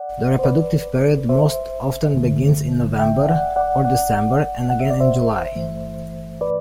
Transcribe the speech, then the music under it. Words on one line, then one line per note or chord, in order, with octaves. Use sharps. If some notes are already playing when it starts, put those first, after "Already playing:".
The reproductive period most often begins in November or December, and again in July.
Already playing: D5 F#5
C5
B4 D5
C5 E5
F#2 D3 A3
E5 G5
D5 F#5
D5 F#5
D5 F#5
F#5
E5
D5
C5 E5
G2 E3 A3
B4 D5